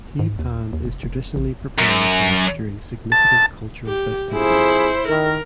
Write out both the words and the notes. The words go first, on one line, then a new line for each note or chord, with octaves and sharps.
Hee pan is traditionally prepared at home during significant cultural festivities.
G#2
D#2
D#2
F1
F1
A1
F#2
A5
G4
F2 E4 G#4 C5
D#3 A#4